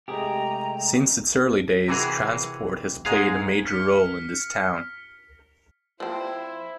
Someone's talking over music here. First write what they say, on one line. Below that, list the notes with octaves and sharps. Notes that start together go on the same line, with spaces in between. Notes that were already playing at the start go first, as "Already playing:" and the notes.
Since its early days, transport has played a major role in this town.
C3 G#3 A3 G4 G#4 D#5 G5 A#5
C3 E3 F#4 G#4 A#4
G#2 G#3 G#4 F5
F6 B6 C#7
F3 C4 E4 C5